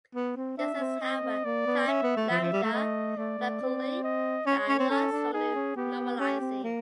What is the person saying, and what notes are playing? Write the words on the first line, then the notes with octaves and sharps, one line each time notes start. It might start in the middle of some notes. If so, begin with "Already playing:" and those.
There exist, however, typed lambda calculi that are not strongly normalizing.
B3
C4
D4 E5
C#4
C4
C4 D#5
C4
A#3 D5
B3
C#4 E5
B3
A3
F3
F3
G3
A3
A3 D#5
A3 D5
A3
C4
D#5
C#4 C#5
C#4
C4
C#4 A4
D4
D#4 G#4
C#4
B3 G4
C#4 G4
C4
A#3